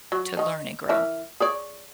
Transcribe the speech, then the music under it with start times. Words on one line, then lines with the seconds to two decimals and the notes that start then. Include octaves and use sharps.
to learn and grow.
0.12 F#3
0.37 D#3 D#4
0.89 E3 A#4 E5
1.40 G#4 C#5 D5